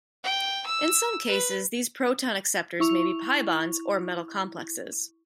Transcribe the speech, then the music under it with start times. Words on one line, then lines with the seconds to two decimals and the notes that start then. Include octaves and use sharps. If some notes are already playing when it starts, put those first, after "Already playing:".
In some cases, these proton acceptors may be pi-bonds or metal complexes.
0.24 G5
0.66 E6
1.27 B4
2.80 E4 C#6 F7